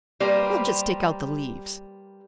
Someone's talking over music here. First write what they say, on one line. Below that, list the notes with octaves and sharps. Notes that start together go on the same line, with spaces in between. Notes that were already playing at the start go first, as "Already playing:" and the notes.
We'll just take out the leaves.
G3 A#3 B4 C5